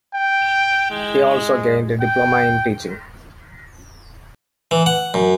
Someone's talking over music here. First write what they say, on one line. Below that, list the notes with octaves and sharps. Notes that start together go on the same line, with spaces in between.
He also gained a diploma in teaching.
G5
G#3
G5
E3
F#5
F#2